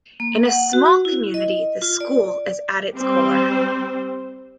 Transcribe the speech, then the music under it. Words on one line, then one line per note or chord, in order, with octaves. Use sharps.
In a small community, the school is at its core.
A#3
F#5
F#4
E4
D#5
F4
D5
G3 C4 C5